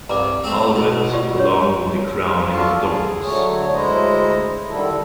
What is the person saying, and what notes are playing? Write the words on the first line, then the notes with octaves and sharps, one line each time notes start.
Olivet, along with the crowning of thorns.
C2 G2 A#5 D6
A3 C4
B2
F4 G4 D5
G4 C#5
D4 F4 F#4 A4 F5 A5
G#4
D3 F#3 A3 C#5
D2 G#3 E4 C5 D#5 A#5
D3 D#3 G3 E4 A4